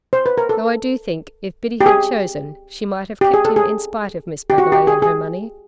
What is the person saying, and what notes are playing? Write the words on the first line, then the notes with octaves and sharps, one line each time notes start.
Though I do think if Biddy had chosen she might have kept him in spite of Miss Bagalay and her money.
C5
B4
A#4
A4
G4
G#4
G4
G#4
A4
G#4
G4
F#4
G4
G#4
G#4